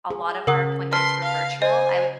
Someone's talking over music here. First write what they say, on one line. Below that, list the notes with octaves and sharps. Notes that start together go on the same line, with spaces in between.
a lot of our appointments were virtual, I would
G#4
C#3 A#4 F#5 D#6
B4 A5 C6 F6
F5
C5 D#5 G#5